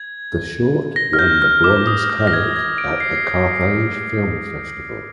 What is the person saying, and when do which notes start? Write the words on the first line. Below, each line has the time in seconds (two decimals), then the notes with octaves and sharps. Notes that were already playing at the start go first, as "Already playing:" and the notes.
The short won the Bronze Tanit at the Carthage Film Festival.
Already playing: G#6
0.96 A#6
1.13 F6
1.19 G6
1.42 F6
1.64 D6
1.87 D#6
2.10 F6
2.27 A#6
2.33 G#6
2.56 G#6
2.78 D7
3.00 C7